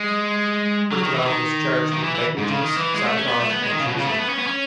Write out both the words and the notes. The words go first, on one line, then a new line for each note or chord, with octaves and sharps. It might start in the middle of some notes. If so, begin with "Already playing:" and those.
Britanov was charged with negligence, sabotage, and treason.
Already playing: G#3
F#3
D#3
E3
D#3
D#3
E3
E3
G#2
C#3
D#3
E3
G#3
A3
C#4
B3
A3
B3
G#3
D#3
C#3
B2
C#3
B3
A3
B3
C#4
B3
C#4